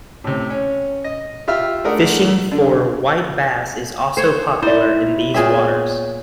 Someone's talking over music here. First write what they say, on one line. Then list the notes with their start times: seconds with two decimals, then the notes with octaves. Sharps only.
Fishing for white bass is also popular in these waters.
0.24 A2 C3
0.50 C#4
1.04 D#5
1.48 F4 G4 E5 E6 F6
1.84 G#3 A3 D4 A#4 F#5 D#6
2.52 D3
4.17 A4 C5 C#5
4.62 D#4 E4 C5 D5 E5
5.34 A#2 B3 C4 G#4 C#5 E5 G#5